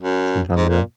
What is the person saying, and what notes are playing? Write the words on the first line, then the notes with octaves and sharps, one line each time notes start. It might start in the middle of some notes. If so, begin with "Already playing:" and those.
sometime ago.
F#2
G#2
A#2